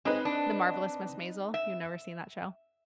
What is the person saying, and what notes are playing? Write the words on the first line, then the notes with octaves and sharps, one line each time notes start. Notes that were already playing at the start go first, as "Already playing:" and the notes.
"The Marvelous Mrs. Maisel"? You've never seen that show?
G#3 C4 D#4 B4
D4
E5